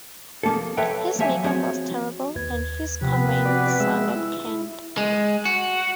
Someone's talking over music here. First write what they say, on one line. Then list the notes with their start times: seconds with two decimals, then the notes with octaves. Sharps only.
His makeup was terrible, and his comments sounded canned.
0.43 F3 A#3 A4
0.77 A4 B4 C#5 E5 G5
1.19 F3 F#3 A#3 C#5 E5 G#5
1.44 F3 C4 F#4 G#4 C#5
2.36 D#2 B4 G#6
3.01 C3 F3 B3 C4 B4
3.45 F#4 D5
3.80 G#3 E5 E6
4.16 E4
4.46 E4
4.97 G#3
5.45 F#4